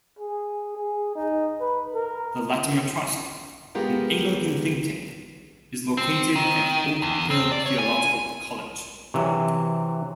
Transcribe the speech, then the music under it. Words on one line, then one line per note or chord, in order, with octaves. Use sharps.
The Latimer Trust, an Anglican think tank, is located at Oak Hill Theological College.
G#4
G#4
D#4
B4
A#4
G#3 B3 F4 G4 A#4
C4
D#3
E2
C4
D5
C#5
G#5
C3 E3 F#3